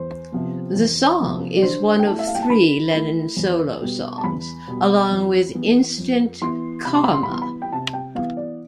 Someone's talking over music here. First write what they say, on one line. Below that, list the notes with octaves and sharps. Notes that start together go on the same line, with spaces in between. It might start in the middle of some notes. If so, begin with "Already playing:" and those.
The song is one of three Lennon solo songs, along with Instant Karma!
Already playing: E2 C5
C3 F3 B3
E2
C3 F3 B3
D5
D3 C5
G5
A3 E4 A5
E5
F5
G5
A5
D3 B5
A3 E4
E2
B2 G3 B3
A5
E2 B5
B2 G3 B3
F2
E3 B3 E4
F2
E3 B3 E4 C6
C3 B5
C6
B5
C6
B5
E3 B3 C6
B5
G5
C3 A5
G5
E3 B3 F5
D5